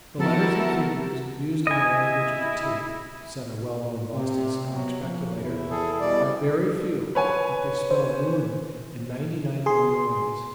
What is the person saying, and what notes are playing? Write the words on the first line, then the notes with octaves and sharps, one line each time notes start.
"THE letters and figures used in the language of the tape," said a well-known Boston stock speculator, "are very few, but they spell ruin in ninety-nine million ways."
F3 B3 C4 E4 F#4 A4 A#4
E4 D#5 G#5
C3
B2 F#3
F3 A#3 C#4
E2 E4
G#4 A4
B2 G3 D5
B4 C#5 G#5
C5
G#4 C6